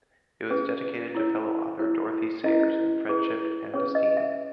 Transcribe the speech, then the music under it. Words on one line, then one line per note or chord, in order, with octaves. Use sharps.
It was dedicated to fellow author Dorothy Sayers in friendship and esteem.
C#4 G#4 B4
E4 A#4 C#5
E4 A#4 C#5
C#4 E4 B4 D#5
E4 G#4 B4
C#4 G#4 B4 C#5
D#5
E5